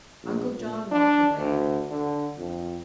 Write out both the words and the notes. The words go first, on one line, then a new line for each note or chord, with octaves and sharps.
Uncle John walked away.
A#1
A#2
D4
D2
D3
F2